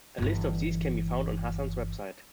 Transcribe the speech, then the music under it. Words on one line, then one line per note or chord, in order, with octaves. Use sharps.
A list of these can be found on Hassan's website.
G1 E3